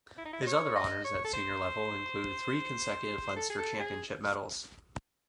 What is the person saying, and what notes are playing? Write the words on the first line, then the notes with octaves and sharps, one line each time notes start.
His other honours at senior level include three consecutive Leinster Championship medals.
E4
D#4
E4
D#5
C#5
D#5
C#5
A4
C5
A4
G#4
A4
G#4